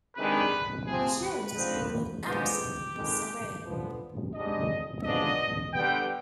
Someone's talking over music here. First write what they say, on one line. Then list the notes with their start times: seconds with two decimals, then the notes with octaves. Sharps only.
Johns was born in Epsom, Surrey.
0.17 C3 D#3 G#3 D4 B4
0.86 C3 F3 C4 G#4
1.21 B4
1.55 D3 F3 C4 D#4
2.25 D3 F3 G#3 B3 D#4 G4
2.95 F2 D#3 G#3
3.65 D3 F3 B3
4.34 G#2 G3 D4 D#5
5.04 G#2 F3 B3 D4 D#5
5.73 D3 G3 B3 G5